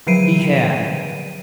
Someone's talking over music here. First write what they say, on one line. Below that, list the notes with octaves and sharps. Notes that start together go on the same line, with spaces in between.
He had.
D3 F3 F#3 C7 D7 D#7